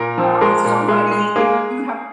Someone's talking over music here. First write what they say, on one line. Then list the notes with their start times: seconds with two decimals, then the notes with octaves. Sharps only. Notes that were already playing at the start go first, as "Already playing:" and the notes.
Well, somebody if you have
Already playing: A#2 A#4
0.18 F3
0.41 G#3 A#4
0.65 A#2
0.88 G#3
1.11 G#3
1.36 A#3 G#4